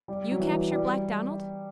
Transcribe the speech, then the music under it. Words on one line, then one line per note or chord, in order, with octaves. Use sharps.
You capture Black Donald!
G3
F#3
E3
G3